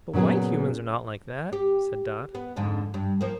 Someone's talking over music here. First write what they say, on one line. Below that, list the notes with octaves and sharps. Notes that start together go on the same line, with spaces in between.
"But white Humans are not like that," said Dot.
A#2 C#3 F#3 B3 G#4
G4
B3
F2 G#2 D3
G2
F3 A#3